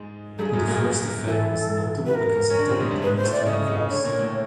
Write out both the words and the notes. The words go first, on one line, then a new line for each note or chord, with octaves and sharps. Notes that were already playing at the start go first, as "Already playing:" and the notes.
The first affair was notable because it did not lead to a divorce.
Already playing: G#2 G#3
G2 G3 A4
G#4
F#2 F#3
A#2 A#3
E3 E4 A#4
A4
B4
A#4
C#4
D3 D4
C3 C4
G#2 G#3
G2 G3
G#2 G#3 B4
C5
A2 A3
D5
C#3 C#4 D#5
C#3 C#4
D3 D4 C#5
A#2 A#3
A2 A3